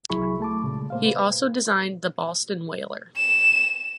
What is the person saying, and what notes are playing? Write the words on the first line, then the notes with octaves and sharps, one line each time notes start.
He also designed the Boston Whaler.
C2 F#3 E4 G#4 B5 C#6
A3 A5 D6
A#2 C#3 G#3
A#3 C5 F5
B4
E7